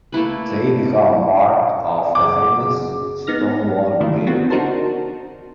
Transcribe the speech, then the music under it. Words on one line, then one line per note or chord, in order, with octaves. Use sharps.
They become part of the famous Stonewall Brigade.
A3 A#3 E4 B4
F#1 D6
B3 D#4 F6 A#6
D3 D#3 A3 E4
B3 C4 F#4
D4 D#4 F#4 A#4 C5 A5